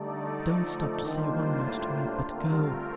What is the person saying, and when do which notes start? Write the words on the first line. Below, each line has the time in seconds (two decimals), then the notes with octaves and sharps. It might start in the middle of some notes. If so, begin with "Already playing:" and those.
Don't stop to say one word to me, but go.
Already playing: D3 G3 A3 D#4 A4 D5
0.48 F3
1.05 D#3 G3 A#3 D4 F4 C5
1.63 A2
2.20 D3 A3 C4 F4 A#4
2.49 G3